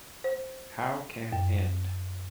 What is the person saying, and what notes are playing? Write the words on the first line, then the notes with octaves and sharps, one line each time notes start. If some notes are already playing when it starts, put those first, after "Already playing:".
How can end?
C5
F#2